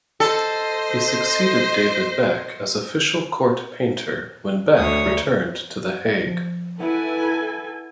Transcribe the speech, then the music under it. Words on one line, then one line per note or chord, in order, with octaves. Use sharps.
He succeeded David Beck as official court painter when Beck returned to The Hague.
A4 C5 D#5
D2 C#5 D#6
F3
E4 A4 B4 F#5 G#5